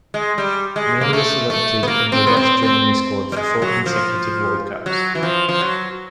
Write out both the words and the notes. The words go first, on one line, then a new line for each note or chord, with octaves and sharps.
Maier was selected in the West Germany squad for four consecutive World Cups.
G#3
G3
G#3
A#3
A3
A3
B3
A#3
C4
B3
C4
C4
G3
G#3
F#3
F3
F#3
E3
F3
F3
F#3